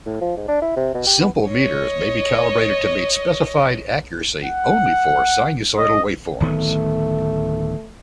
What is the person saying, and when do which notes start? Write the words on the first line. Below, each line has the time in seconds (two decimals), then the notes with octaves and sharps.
Simple meters may be calibrated to meet specified accuracy only for sinusoidal waveforms.
0.06 A2
0.21 F3
0.37 G#2
0.48 D4
0.62 E4
0.76 C3
0.94 B2
1.07 G4
1.21 B3
1.48 C#5 D#5
4.45 F#5
5.77 D#5
6.40 D1 D#3 A3 B3